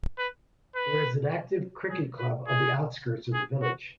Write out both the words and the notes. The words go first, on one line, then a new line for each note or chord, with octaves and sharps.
There is an active cricket club on the outskirts of the village.
B4
B4
G#4
B4
G#4
G#4
F#4